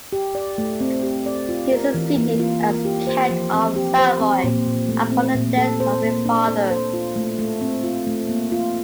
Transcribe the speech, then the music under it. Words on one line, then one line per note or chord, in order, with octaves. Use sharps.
He succeeded as count of Savoy upon the death of his father.
G4
D5
A3
C4
G4
D5
F4
A#4
E3
A#3
F4
A#4
G4
C5
F3
C4
G4
C5
C4
A#2
A#2
A3
C4
A#2
A4
C5
A#3
D4
A4
C5
F4
A3
A3
C4
F4
A3
A#3
F4